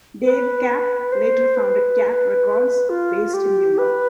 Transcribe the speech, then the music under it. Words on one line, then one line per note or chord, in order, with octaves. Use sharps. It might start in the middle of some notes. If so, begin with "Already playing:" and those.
Dave Kapp later founded Kapp Records, based in New York.
B4
C5
B4
F4
G4
B4